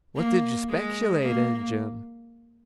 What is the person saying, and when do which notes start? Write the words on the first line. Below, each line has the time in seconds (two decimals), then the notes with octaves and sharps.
"What did you speculate in, Jim?"
0.16 A#3
0.69 G#3
1.21 A#3